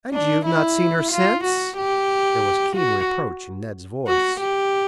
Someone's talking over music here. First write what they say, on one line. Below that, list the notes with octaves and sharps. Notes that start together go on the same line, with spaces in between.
"And you've not seen her since?" There was keen reproach in Ned's voice.
D4
E4
F4
F#4
G4
F#4
F#4
G4